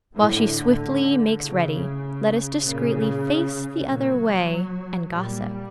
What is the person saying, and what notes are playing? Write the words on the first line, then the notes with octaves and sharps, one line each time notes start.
While she swiftly makes ready, let us discreetly face the other way and gossip.
A2 D3
A2 C#3
A#2 C#3
A#2 F#3
A#2 G3